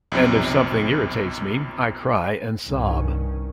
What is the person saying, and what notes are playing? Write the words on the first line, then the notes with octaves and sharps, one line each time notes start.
And if something irritates me, I cry and sob.
B1 F2 C3
C2 G2 D#3 C#4